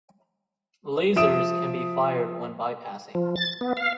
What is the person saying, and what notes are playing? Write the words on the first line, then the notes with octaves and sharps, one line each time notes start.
Lasers can be fired when bypassing.
F3 E5 D#6 D7 E7
F3
A6
B3
F5